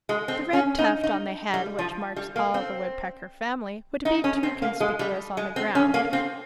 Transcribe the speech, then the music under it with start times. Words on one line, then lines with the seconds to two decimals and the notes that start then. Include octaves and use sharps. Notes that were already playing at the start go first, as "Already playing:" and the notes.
The red tuft on the head, which marks all the woodpecker family, would be too conspicuous on the ground.
0.09 G#3
0.28 C4
0.53 C#4
0.78 D#4
1.04 D#4
1.54 G3
1.79 F3
2.16 G3
2.36 A#3
2.54 C4
4.05 D#4
4.24 C#4
4.43 C4
4.62 A#3
4.80 G#3
4.99 G3
5.37 G#3
5.56 C4
5.75 C#4
5.94 A#3
6.13 C4